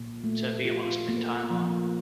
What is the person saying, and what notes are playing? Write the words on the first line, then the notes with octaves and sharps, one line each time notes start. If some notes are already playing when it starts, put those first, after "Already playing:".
to be able to spend time on.
Already playing: A#2
A3
F4
A#3
F3